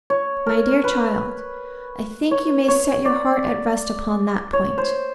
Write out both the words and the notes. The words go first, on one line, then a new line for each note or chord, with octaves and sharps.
My dear child, I think you may set your heart at rest upon that point.
C#5
A#4
B4
C#5
C#5
D5
C#5
C5